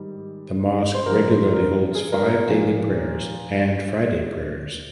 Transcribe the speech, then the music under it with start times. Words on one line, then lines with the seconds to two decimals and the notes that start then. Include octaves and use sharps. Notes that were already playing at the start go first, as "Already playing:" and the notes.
The mosque regularly holds five daily prayers and Friday prayers.
Already playing: G#2 D#3 G3
0.94 C5
1.06 G2 D3 F3 A#4
1.30 C5
1.53 A#4
1.95 G#4
2.12 A#4
2.30 A#4
2.48 A#2 F3